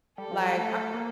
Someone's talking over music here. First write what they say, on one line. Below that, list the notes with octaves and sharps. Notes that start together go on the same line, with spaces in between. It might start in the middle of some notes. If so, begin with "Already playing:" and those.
Like, I
G3 A4
F3
G3
A3
A#3